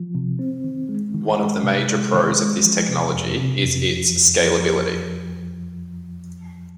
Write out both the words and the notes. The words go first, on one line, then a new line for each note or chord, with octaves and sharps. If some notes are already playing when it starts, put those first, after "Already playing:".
One of the major pros of this technology is its scalability.
Already playing: F3
C3
C4
D#3
G#3
D#3
G#3
C3
G#3
D#3
G#3
F3
C3
F2
C3
F2
F3
F2
F3